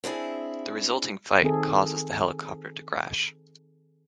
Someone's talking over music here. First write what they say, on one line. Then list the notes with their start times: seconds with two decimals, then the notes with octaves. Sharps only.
The resulting fight causes the helicopter to crash.
0.04 C4 D4 E4 G#4
1.43 D#3 C4 G#4 A4